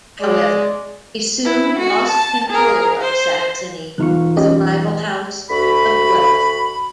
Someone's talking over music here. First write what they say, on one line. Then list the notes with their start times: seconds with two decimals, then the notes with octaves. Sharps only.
However, he soon lost control of Saxony to the rival House of Guelph.
0.21 G#3 D5
1.45 E4
1.78 F#4
2.08 A5
2.50 G#4 A#4
3.01 C5
3.98 E1 D#4 F4 C#6 F6 F#6
4.37 C#4 G4 D#5
5.50 D2 F#4 B5